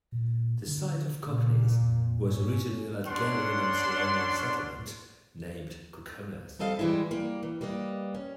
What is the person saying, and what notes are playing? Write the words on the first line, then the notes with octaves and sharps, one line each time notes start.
The site of Koknese was originally a Latgalian and Selonian settlement named Kukenois.
A#2
D3
A#2 C#3
F2
G#2 C#4
C#4 D4 F#5 C6
G3 C4 A4 D#5 F5
E3 G3 G#3 E4
G3 A#3
E3
G3 A#3 B4 D#5
C#4